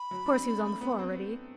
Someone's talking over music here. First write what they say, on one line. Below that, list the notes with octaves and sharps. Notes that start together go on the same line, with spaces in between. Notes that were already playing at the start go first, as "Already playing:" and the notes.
Of course he was on the floor already.
Already playing: B5
F#3
D4
C4
A3
B3
C4
B3